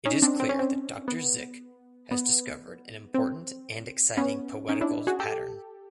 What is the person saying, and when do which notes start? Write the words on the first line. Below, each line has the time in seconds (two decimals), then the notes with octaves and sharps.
It is clear that Doctor Zik has discovered an important and exciting poetical pattern.
0.05 C#4 D#4
0.22 C4 D4
0.40 C4
0.49 C#4
0.59 C4
1.08 B3
2.11 B3
3.14 C4
4.17 B3 C#4
4.69 C#4 D#4
4.81 D4 E4
5.07 F#4 G#4
5.20 G4 A4